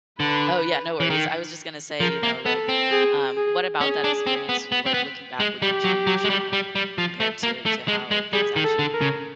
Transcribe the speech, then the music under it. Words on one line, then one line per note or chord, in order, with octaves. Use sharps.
Oh, yeah, no worries. I was just gonna say, you know, like, um, what about that experience, s like, looking back, would you change, um, compared to to how things actually went down?
D3 B4
E3
D#3
F3 A#4
A#3
B3 A4
C4
G#4
G#4
C#4 G#4
D4
C4
B3
B3
C4
B3
G#3
G3 G4
F#3
F#3
G#3
G3
G3
G3
F3
A3
A#3
A3
G#3
G#3
G3 G#4
D#3
A4
D3
A#4
C#3